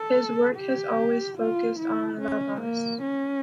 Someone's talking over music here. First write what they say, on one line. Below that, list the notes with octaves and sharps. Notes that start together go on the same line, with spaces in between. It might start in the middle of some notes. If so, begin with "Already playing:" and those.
His work has always focused on La Paz.
Already playing: A4
G4
F4
E4
C#4
A#3
C#4